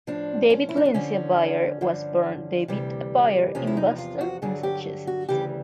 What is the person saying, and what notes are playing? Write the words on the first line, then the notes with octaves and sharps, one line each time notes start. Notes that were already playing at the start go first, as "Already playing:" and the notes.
David Lindsay-Abaire was born David Abaire in Boston, Massachusetts.
A2 F3 D4
C#4
E4
D#4
D4
D2 D3 F3 C#4
G2 D3 F3
D2 C3 E3 G3
E2 C3 F3 C#4
E4
D#4
F4
F#4
G2 D3 F#3 G#4
G4
F#4
D2 C#3 E3 G3 G4